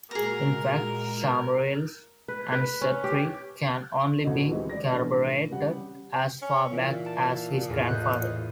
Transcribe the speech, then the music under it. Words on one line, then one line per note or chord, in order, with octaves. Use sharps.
In fact, Somairle's ancestry can only be corroborated as far back as his grandfather.
A#2 G#3 F#4 G#4 A#4 A#5
B4
B4
C#4
G4
A1 D2 B2 F#4 A4 D#5
D#3 E3 G3 G#3 C4
D5 A#6
A#1 E3 A3
C#3 G3 F#5
C#4
A#2 E3
A5
E2 A2 B3
D#5 F#6 G6